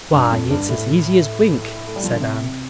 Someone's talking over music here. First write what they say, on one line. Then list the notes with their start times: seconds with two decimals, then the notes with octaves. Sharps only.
"Why, it's as easy as wink," said Anne.
0.13 G2
0.32 F2
0.50 G2
0.69 A2
1.87 A3
1.96 G3
2.03 F3
2.12 D3
2.20 C3